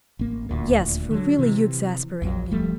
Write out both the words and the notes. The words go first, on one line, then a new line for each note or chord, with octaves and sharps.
"Yes, for really you exasperate me."
A1 A#3
D#1 D2 A#2
D3 F#3
C3 E3
A#1 F2 F#3
D1 F3 G3 A3